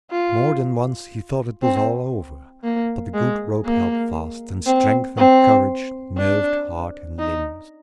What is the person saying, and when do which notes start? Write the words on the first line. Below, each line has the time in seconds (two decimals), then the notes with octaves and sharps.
More than once he thought it was all over; but the good rope held fast, and strength and courage nerved heart and limbs.
0.11 F4
1.63 C4
2.64 A#3
3.15 G#3
3.65 A#3
4.66 C4
5.17 C4
6.18 D4
7.19 D#4